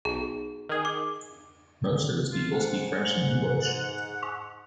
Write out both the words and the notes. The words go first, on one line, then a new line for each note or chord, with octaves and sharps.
Most of its people speak French and English.
B1 G#4
D#3 G#4
D6
F4
G#2 F#5